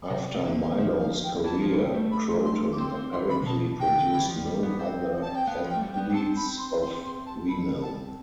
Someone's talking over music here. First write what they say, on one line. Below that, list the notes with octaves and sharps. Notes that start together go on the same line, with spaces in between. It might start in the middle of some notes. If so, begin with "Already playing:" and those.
After Milo's career, Croton apparently produced no other athletes of renown.
D5
C3 C5
D5
D3 E5
F5
F3 E5
F5
G5
E3 A5
F3
G3
A3
B5
C6
C6
C6
D6
C4 C6
C4
E3 C6
D3 B5
C3
B2 A5
C3 G5
D3
E3
G3
F3
G3
B3
C4
A5
G5
B3 F5
F3 G5
A3
G3
G5
B3
G5
C4 A5
B5
C6
C6
C6
A5
B5
A5